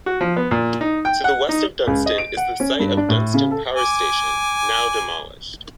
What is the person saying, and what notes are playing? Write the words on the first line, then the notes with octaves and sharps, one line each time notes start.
To the west of Dunston is the site of Dunston Power Station, now demolished.
F#4
F3
B3
A#2
D#4
G5
F#5
D#4
C#2
D#5
D7
F#5
C#4
G2
D4
A2
C#3
A4
G#5 D6